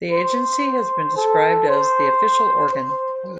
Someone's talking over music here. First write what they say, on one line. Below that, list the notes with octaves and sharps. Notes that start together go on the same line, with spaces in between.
The agency has been described as the official organ.
C5
A4
C5
C5